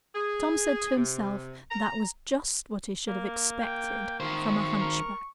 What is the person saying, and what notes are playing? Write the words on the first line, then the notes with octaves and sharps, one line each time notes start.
But Tom said to himself, that was just what he should have expected from a hunchback.
G#4
C3
A#5
A#3
G5
D#3 C5 C#6
A#4